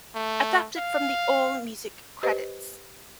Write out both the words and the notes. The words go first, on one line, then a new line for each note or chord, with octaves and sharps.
Adapted from the AllMusic credits.
A3
F5
G4 B4 C5 D#5